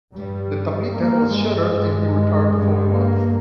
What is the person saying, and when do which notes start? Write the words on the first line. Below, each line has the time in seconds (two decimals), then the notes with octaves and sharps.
The "Tablita" was shattered and he retired the following month.
0.14 G2 G3
0.93 G2 A#3
1.32 G#3
1.72 G2
2.52 G2
2.92 A#3